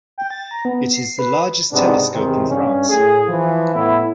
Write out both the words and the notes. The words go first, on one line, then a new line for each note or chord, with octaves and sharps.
It is the largest telescope in France.
G5
A6
A#5
B3
C7
B4
G#2 C3 B3 D4
E2 C3 D#3 C4
G2 C#4
A2 G#4
E3 F3
A2 B3 E4